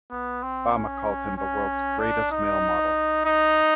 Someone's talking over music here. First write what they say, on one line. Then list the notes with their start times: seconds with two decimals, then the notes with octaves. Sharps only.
Bama called him the world's greatest male model.
0.11 B3
0.43 C4
0.74 C#4
1.37 C#4
2.00 D4
2.32 D#4
3.26 D#4